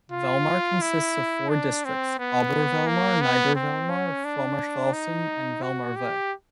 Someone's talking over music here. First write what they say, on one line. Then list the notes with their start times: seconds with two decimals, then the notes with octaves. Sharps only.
Vellmar consists of four districts: Obervellmar, Niedervellmar, Frommershausen and Vellmar-West.
0.12 F4
0.81 E4
1.49 D4
1.85 C4
2.19 B3
2.86 A#3
3.21 B3
3.55 C4
3.90 C#4
4.25 D4
4.93 D#4
5.62 F#4
5.96 G4